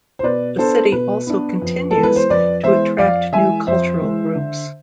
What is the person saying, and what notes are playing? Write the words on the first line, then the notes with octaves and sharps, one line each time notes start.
The City also continues to attract new cultural groups.
C5
B2 B4 D5
B3 D4 A4 C5
B2 B4
B3 D4
F2
A4
E3 G#3 B3
B4
C5
F2 B4 D5
E3 G#3 B3 C5 E5
F2 D5 F5
E3 G#3 E5 G#5
F2 C5 E5
E3 G#3
D3